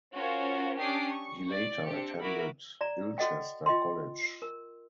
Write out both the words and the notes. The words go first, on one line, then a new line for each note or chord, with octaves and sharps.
He later attended Ilchester College.
C#4 F4 F#4 A#4 C5 C#5
C#4 D4 G4 D6 D#6 C7
C#6
D5
C4 D4 G4 C#7
E4 F#4 A#4 B5 D6
D5 A#5
F#4 A4 D#5 F#5 G5
F4 D#5 G5 C6
A#4